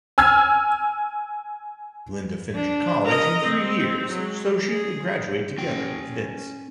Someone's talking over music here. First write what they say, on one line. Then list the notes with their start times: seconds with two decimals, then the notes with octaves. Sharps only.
Linda finished college in three years so she could graduate together with Vince.
0.18 G#5 E6 F6 G#6
2.56 D4
3.06 A#4 D#5
3.45 C4
4.12 F#3 G#3
4.68 G#4
5.58 C#4 G5